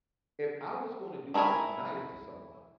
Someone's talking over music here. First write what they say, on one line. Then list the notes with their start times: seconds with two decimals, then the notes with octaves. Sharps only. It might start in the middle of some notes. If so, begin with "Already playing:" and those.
if I was gonna do something nice to someone
1.34 A3 D#4 E4 A#4 G#5